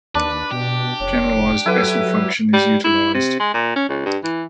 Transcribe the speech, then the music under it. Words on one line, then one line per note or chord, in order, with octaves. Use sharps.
Generalized Bessel function is utilized.
D#2 D4 B4
B2 G4
F1 C#5
F#3 E4 A4 B4 F#5
G3
E4
C3
G#3
A#2
C#4
C#2
G2
E3